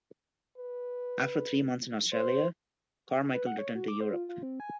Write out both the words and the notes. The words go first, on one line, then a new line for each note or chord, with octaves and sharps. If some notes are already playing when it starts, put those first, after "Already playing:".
After three months in Australia Carmichael returned to Europe.
B4
C5
B4
F#5
C#5
F#4
D6
C5
F4
F4
C4
G#5